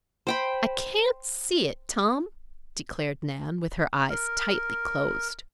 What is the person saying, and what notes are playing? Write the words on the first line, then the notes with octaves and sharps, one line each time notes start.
"I can't see it, Tom," declared Nan, with her eyes tightly closed.
C5 G5 B5
A#4